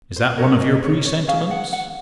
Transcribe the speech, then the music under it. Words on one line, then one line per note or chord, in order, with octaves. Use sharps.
"Is that one of your presentiments?"
C5
C#4 F#4 A#4 C#5
D#5
C#5
C#5
C#4 G#4 F5
F#5
F#5